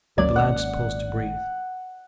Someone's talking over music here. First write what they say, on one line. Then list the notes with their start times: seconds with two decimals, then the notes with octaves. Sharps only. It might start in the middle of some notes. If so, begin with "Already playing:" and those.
The lads paused to breathe.
0.18 G#1 D2 F#3 A#3 C#4 D5 G#6
0.36 F#5